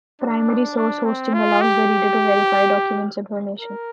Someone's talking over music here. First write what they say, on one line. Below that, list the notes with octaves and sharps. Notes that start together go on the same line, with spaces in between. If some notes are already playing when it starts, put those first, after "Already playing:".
Primary-source hosting allows the reader to verify a document's information.
D4
D4
C4
F4
G4
A#4